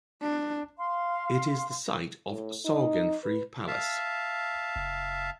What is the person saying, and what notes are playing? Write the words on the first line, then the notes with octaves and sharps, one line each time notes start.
It is the site of Sorgenfri Palace.
D4
F5 C6
A2
D#4
B4
E5 F5 A5
F#1